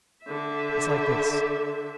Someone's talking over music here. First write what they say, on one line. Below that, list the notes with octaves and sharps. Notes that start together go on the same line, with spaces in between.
It's like this.
D3 E5